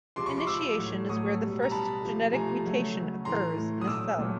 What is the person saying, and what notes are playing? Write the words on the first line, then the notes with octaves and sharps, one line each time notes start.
Initiation is where the first genetic mutation occurs in a cell.
C3 F3 G#3 C6 D6
B5 C#6
C6 D6
C3 F3 G#3 D6 E6
A2 F#3 A3
A2 F#3 A3 C#6 D#6
B2 G3
A#5
B2 G3 A5 B5
C3 F3 A3
C3 F3 A3 G#5 A#5
C#3 F#3 A3
C#3 F#3 A3
A2 E3 A3 A#5 C6
A2 E3 A3
D#6
A#2 F#3 A3 D6 E6
A#2 F#3 A3